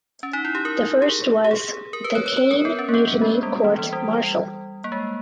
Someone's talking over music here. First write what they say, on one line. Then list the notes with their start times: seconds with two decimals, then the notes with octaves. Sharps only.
The first was "The Caine Mutiny Court Martial".
0.23 C#4
0.33 D#4
0.45 E4
0.55 G4
0.65 A#4
1.02 G4
1.09 G#4
1.44 G4
1.51 G#4
1.93 A#4
2.04 B4
2.15 C#5
2.26 C#5
2.37 B4
2.51 A#4
2.65 B3
2.79 C#4
2.89 A#3
2.94 B3
3.07 A#3
3.22 G#3
3.43 G3
3.64 E3
3.79 E3
3.93 G3
4.84 A#3
4.92 G#3